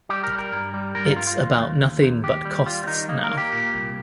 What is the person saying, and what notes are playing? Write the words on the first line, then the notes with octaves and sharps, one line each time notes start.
It's about nothing but costs now.
G3 G4
A#4
G3
A#4
G2
G3
G2 A#4
F4
G2 F4
F4
D#2
D#2
D#2
D#2
D#2 G4
G3
G3 F4
C4
D#3 D#4
A#3 D#4
A#4
A#3
G4
A#2
C2